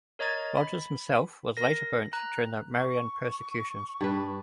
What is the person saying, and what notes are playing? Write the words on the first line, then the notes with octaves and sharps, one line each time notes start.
Rogers himself was later burnt during the Marian persecutions.
A#4 C#5 D#5 A#5 G#6 A6
B5
A#4 A#6
A#5 F#6
C#6
G2 D4 B4